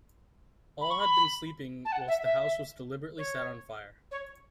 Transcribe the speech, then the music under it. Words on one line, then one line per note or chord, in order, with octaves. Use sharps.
All had been sleeping whilst the house was deliberately set on fire.
B5
C#6
B5
A5
F#5
E5
E5
C#5
C#5